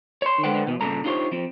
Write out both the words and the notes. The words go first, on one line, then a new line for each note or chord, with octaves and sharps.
You know?
C#5 C6
G#3 A4 B4 C5 F#5 G5
B2 B3
G2 A#2 C#3 A4 A#5
D4 D#4 F4 G4 C5 C#5
F3 C4